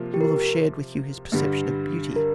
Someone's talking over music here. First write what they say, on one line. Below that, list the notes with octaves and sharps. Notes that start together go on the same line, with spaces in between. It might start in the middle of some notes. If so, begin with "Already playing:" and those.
He will have shared with you his perception of beauty.
Already playing: C3 F3 A#3 F4
G4
A#4
G2 D3 G3
A#4